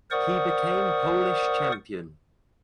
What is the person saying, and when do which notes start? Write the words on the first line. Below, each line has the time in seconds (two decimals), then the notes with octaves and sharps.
He became Polish champion.
0.11 A#4 C5 D5 F#5 C#6 D#6